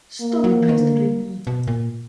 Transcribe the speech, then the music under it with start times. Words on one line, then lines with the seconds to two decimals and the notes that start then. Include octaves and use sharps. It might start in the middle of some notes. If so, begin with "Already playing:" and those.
Stop pestering me!
0.22 A#3
0.44 F#3
0.52 F3
0.61 E3
0.69 D#3
0.78 D3
1.47 B2
1.67 A#2